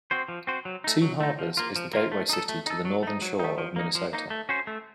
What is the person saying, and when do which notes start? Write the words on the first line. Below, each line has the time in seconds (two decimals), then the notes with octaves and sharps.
Two Harbors is the gateway city to the Northern Shore of Minnesota.
0.11 C4 F#4 C5
0.28 F3
0.47 C4 F#4 C5
0.65 F#3
0.84 A3 D#4
1.02 F#3
1.20 A3 D#4
1.39 F3
1.57 A#3 F4
1.76 F3
1.93 A#3 F4
2.12 A3
2.29 D#4 A4
2.49 A3
2.67 D#4 A4
2.85 F#3
3.03 A3 D#4
3.22 F#3
3.39 A3 D#4
3.58 F3
3.76 A#3 D#4
3.95 F3
4.13 A#3 D#4
4.30 A3
4.49 C#4 F#4 C5
4.67 A3